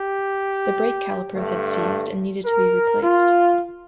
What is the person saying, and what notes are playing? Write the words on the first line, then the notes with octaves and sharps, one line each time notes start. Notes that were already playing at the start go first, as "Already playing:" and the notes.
The brake callipers had seized and needed to be replaced.
Already playing: G4
G2 D3 A3
A#4
F4